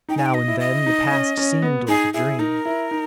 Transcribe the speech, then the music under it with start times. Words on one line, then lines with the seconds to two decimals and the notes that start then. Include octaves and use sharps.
Now and then the past seemed like a dream.
0.09 D#4 G5
0.17 G#5
0.26 G5
0.34 D#5
0.48 E4
0.60 D#5
0.86 D#4
1.12 C#4
1.37 C#4
1.62 B3
1.88 D#4 G#4
2.14 E4 G#4
2.39 D#4 A#4
2.65 E4
2.91 D#4